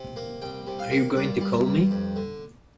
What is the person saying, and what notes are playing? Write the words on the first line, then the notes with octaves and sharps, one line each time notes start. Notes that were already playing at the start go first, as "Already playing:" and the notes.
Are you going to call me?
Already playing: C3
A#3
C2 G5
C3
F5
A#3
G2 D5
G3
G2
F2
D3